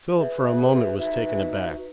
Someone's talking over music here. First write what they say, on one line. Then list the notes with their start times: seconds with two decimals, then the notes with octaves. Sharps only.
Philip for a moment was taken aback.
0.16 G#4 B4 E5
0.96 D#4 F#4 B4 E5